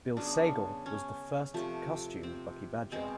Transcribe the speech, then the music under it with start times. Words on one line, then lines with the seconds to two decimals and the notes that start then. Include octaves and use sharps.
Bill Sagal was the first costumed Bucky Badger.
0.17 C#3 F#3 B3 D4
0.86 C#4
1.54 C3 F3 A3
2.23 C4
2.92 B2 G#3 B3 C4